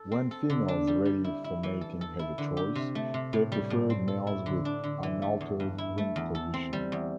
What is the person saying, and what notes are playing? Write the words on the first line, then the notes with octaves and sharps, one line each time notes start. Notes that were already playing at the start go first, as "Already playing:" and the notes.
When females ready for mating had the choice, they preferred males with unaltered wing position.
Already playing: A4
C4
A4
D3
D4
G3
G3
E4
E4
E3
A4
A4
E4
D3
G4
C3
A3
C3
A2
G3
A2
C4
A4
E4
D3
D4
D3
E3
A3
E2
G2
E4
A3
E2
A4
C4
G3
E2